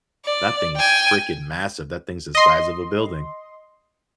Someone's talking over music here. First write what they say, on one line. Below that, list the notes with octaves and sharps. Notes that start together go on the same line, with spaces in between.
That thing is freaking massive, that thing is the size of a building.
D5
G5 G#5
D#5 C6